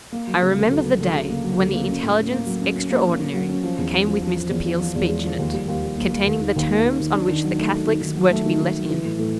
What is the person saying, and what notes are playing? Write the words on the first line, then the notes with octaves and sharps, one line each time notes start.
I remember the day when the Intelligence Extraordinary came with Mr. Peel's speech in it, containing the terms on which the Catholics were to be let in!
A#3
F#3
C#3
D2
D2
F#3
D2
C#3
A#3
F#3
D2
A#3
C#4
A2
C#4
A#3
F#3
C#4
C#4
A#3
C#4
A#3
F#3
C#4
F3
E2
F3
F3
F3
F3
E2
F3
F3
E2
G#3
F3
D#2
G3
D#2
G3
A#3
A#3
D#2
D#3
D#2
A#3
D#3
D#2
D4
D#3
F#3
A3
A3
D#3
D#3
F#3
A3
D#3
D#3
F#3
E3
A2
A2